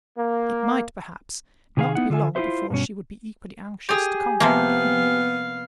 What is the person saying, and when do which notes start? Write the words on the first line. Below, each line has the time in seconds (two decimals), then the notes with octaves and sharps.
It might, perhaps, not be long before she would be equally anxious to conquer again.
0.17 A#3
1.77 C3 D#3 G#4 B4 F5
1.95 B3 D#4 E4 F#5
2.10 D3 F4 A4 E5 G#5
2.35 E4 F4 G#4 B4 C5 E5
2.70 G2 B2 C#4
3.89 G4 G#4
4.40 C3 F3 A#3 B3 F5